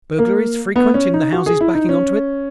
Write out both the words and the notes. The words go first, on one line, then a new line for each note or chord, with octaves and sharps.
"Burglaries frequent in the houses backing on to it?"
A#3
B3
C#4
D#4
F#4
G#4
E4
D#4
C#4